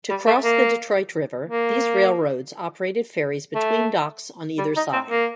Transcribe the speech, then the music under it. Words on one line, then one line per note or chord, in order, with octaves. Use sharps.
To cross the Detroit River, these railroads operated ferries between docks on either side.
G3
A3
A#3
A#3
A3
G3
D#4
C4
A#3